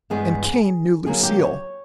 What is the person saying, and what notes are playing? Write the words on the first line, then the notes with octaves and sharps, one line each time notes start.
And Cain knew Lucille.
G2 E3 G#3 B3 G#4
D3 F#3 A#3 G#4
G4
C#5